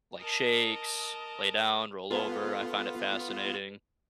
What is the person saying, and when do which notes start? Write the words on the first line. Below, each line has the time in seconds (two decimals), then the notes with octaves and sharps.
like, shakes, lay down, roll over, I find it fascinating.
0.19 A#4 D#5 A5
2.11 B3 F4 A4 B4 G#5